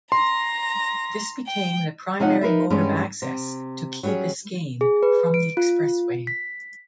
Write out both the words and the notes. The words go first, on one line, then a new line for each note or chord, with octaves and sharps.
This became the primary mode of access to Key Biscayne from the expressway.
A#5 C6 A#6
G5
C3 F3 D#4 C#5 F#5
D#4 A#4 B4 E5
G2 G3 G#3 B3 C#4
C3
F#3 G3 B3 C#4 G#4
G#4
B4
D7
F4
B6